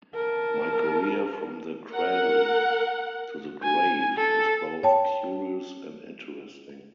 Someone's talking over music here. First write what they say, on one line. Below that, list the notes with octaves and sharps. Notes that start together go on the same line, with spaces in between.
My career from the cradle to the grave is both curious and interesting.
A#4 A5
A#4 F#5
G#5
A4
C#5 G5 A5